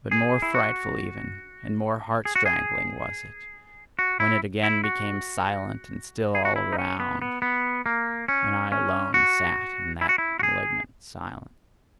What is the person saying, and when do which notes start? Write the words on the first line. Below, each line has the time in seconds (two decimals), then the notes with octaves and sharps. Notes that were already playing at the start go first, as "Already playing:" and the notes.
But more frightful even, and more heart-strangling was it, when it again became silent and still all around, and I alone sat in that malignant silence.
0.11 G#4
0.42 E4
0.55 F#4
2.25 G#4
2.36 F#4
2.46 G#4
3.99 F#4
4.20 E4
4.63 E4
4.84 F#4
6.35 G#4
6.45 F#4
6.56 E4
6.73 D#4
6.79 C#4
7.00 B3
7.22 B3
7.42 B3
7.86 A#3
8.28 C#4
8.72 C#4
9.14 F#4
10.01 E4
10.09 F#4
10.18 E4
10.39 F#4
10.43 G#4